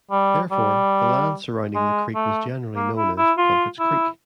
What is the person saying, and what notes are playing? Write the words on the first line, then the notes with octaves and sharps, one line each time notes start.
Therefore, the land surrounding the creek was generally known as "Plunketts Creek".
G3
G3
G#3
A3
A#3
E4
E4
F4
E4